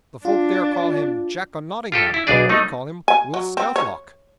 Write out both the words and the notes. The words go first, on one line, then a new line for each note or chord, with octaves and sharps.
The folk there call him Jock o' Nottingham; we call him Will Scathelock.
D4 F4
F4 G4 A4
E4
B1 B3 D4 G#4 D5
A3 D#4
G#5
F#3
C4
C#5